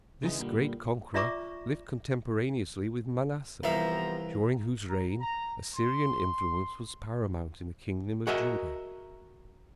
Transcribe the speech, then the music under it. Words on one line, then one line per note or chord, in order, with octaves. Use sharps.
This great conqueror lived contemporaneously with Manasseh during whose reign Assyrian influence was paramount in the kingdom of Judah.
C#3 E3 G#3 D#4
A#2 D3 G3
F4 D5 E5 A#5 C#6 D6
C2 E3 F3 B3 G4 E5 F5 A#5
A#5
A#5
C6
F#4 G#4 A#4 D#5 E5